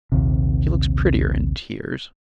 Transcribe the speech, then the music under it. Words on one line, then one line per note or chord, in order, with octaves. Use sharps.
She looks prettier in tears.'
A#1 D#2 C3